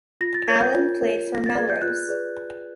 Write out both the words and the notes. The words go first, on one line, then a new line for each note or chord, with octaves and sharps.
Allan played for Melrose.
F4 A#6
A6
A#4 C#5 G#6
G6
F4
A#4 C#5
F4
A#6
A6
G#4 B4 D5 G#6
G6
F4 F#6
G#4 B4 D5